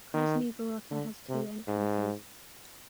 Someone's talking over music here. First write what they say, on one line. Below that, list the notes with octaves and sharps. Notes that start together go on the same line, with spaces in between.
Krasnye Vorota has two entrances.
D#3
D3
C3
G#2